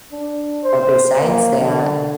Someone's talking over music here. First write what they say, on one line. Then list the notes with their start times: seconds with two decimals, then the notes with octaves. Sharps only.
but besides that,
0.12 D4
0.64 C5
1.22 A#3
1.60 D3